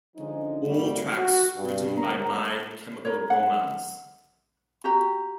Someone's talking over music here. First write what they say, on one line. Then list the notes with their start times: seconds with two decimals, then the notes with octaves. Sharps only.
All tracks written by My Chemical Romance.
0.16 D3 F3 G#3 C#4 D#4
0.66 G#1 C#3 F#3 G3 A3 F#4
1.14 F#4
1.56 G2
1.98 G1 C3 A#4 C#5 A#5
3.05 A#4 C#5
3.30 F#5
4.84 F#4 G4 A#5